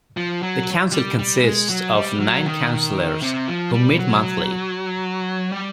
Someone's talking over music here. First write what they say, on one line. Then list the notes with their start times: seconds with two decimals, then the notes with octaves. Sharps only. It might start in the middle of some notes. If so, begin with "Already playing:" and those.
The council consists of nine councillors, who meet monthly.
0.17 F3
0.43 F#3
0.93 G3
1.19 G3
1.44 G#3
1.69 F#3
1.95 G3
2.20 F#3
2.46 D#3
3.22 C3
3.48 F3
3.73 G3
3.99 F#3
5.52 G3